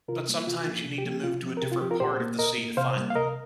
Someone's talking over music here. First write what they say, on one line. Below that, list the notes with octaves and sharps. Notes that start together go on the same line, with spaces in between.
but sometimes you need to move to a different part of the sea to find them.
C3 F4 A#4
G3 A#3
C3 F4
F4
F3 A#3
C3
G4
F3 A#3
G4
C3 F4
F3 C4
A#4
C3 G4
F4
F3 C4 G4
F4 A#4
A#2 G4 C5
A#3
A#2 A#4 D#5
A#3
C3 C5 F5
G3 A#3
F5
C3 A#4 D#5